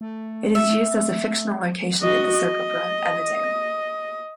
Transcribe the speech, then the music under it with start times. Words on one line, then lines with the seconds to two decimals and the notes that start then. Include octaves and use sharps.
It is used as a fictional location in the soap opera "Emmerdale".
0.01 A3
0.55 E5
2.01 F#4 D#5
2.33 D#5